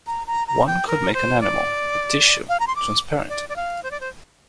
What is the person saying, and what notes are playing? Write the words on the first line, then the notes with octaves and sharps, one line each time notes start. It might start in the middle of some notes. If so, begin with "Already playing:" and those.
One could make an animal — a tissue — transparent!
A#5
A#5
A#5
G5
A#4
C5
D5
F5
A#5
C6
D6
D5
D5
F5
C5
D5
C5